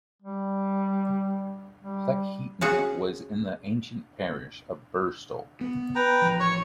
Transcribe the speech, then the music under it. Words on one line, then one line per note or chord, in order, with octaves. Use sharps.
Cleckheaton was in the ancient parish of Birstall.
G3
G3
C#4 F#4 G#4
B3
B4 G5 A#5
A1 F3
C#5 C#6